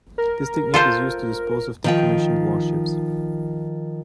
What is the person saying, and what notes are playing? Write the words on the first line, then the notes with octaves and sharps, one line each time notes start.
This technique is used to dispose of decommissioned warships.
A#4
F4 A4 C5
D#3 F3 G5